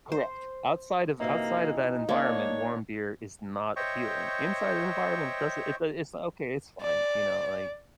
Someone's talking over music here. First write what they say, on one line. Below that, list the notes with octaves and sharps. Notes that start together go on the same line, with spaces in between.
Correct, outside of outside of that environment, warm beer is not appealing, inside the environment, it doesn't it do it's not okay, it's fine, you know, like
C5
F#2 C3 E3 A#3 D#4
D#3 A#3 D4 C#5
C5 C#5 D#5 E5 G5 C#6
D5